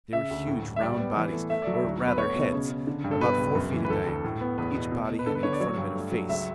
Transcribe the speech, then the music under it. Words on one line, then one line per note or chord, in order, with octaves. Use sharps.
They were huge round bodies--or, rather, heads--about four feet in diameter, each body having in front of it a face.
C#3 E5
D2
A2
A2
E5
G3 D5
B3
E3
A3
A3 E5
F#3 D5
E5
D2
B3
B4
A3 C#5
B2
C#3
C#3
D3
G2
A4
B2 B4
C#2
F#2
E3
B4
D2 A4
D2
A2
B3
E2 B4
B2
B2
B2
B4
D3 A4
B4
D3 C#5
D5
F#3 C#5
G2
A3
F#3
C#2 E5